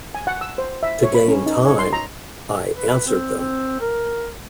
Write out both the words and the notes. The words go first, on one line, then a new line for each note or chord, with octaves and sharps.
To gain time I answered them.
G#5
F#5
E6
C5
E5
C#5
B5
C#4
D#4
C#5
C6
A#5
B4
C4
C4
A#4